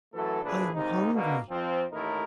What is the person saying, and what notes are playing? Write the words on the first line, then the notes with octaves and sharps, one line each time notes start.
"I am hungry."
F#2 E3 F#3 A3 A4
D2 A#2 F3 D4 G#4 B4
D#2 G#2 C3 D#4
B2 D3 A#3
F2 F3 C4
A1 D#2 A3 D#4 E4 A#4